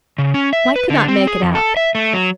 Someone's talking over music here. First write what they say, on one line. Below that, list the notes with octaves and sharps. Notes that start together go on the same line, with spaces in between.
Mike could not make it out.
C#3
C#4
E5
B4
D3
C4
G#4
F2
A4
E5
A3
F#3